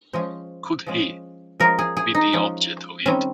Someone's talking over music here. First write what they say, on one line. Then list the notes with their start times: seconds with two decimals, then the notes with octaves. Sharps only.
Could he be the object of it?
0.13 F3 G#3 C#4 C5
0.86 F3 G#3 C#4
1.60 F3 G#3 C#4 A#4
1.79 G#4
1.97 G#4
2.15 D#4
2.33 F3 G#3 C#4
3.06 D#3 G3 C4 C#4